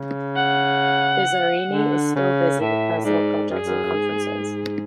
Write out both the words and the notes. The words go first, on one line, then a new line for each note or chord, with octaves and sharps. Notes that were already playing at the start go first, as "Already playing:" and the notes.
Bizzarrini is still busy with personal projects and conferences.
Already playing: C#3
F#5
D3
C#3
A2 E5
G#2 D5
F#2 G#4
F#2
F#2
G#2